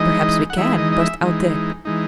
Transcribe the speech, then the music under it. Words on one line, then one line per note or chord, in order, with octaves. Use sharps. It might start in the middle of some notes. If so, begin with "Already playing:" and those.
"Perhaps we can!" burst out Dick.
Already playing: E3 G#3 D#4 D#5
F#5
E3 G#3 D#4 E5
D#5
D#5
E5
E3 G#3 D#4
E3 G#3 D#4